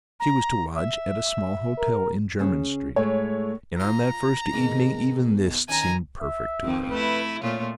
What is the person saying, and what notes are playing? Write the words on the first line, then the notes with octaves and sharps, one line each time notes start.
She was to lodge at a small hotel in Jermyn Street; and on that first evening even this seemed perfect to her.
A#5
E5
A#4
C#3 C#4
A2 G#3 A3 C#5
F4 A#5
G#2 B2 D#3
D#3 C#4 D#4 G#5 A#5
E5
F2 D#3 C4
A3 E4 B4
A#2 A3 F4 C#5